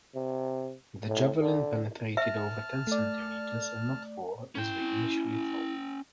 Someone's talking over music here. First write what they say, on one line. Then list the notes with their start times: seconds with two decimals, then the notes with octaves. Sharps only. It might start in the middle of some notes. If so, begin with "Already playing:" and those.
The javelin penetrated over ten centimetres and not four as we initially thought.
0.15 C3
1.09 A2
1.40 D3
2.17 E5 A5 F6
2.87 A3 D5
4.55 C#4 E4 G5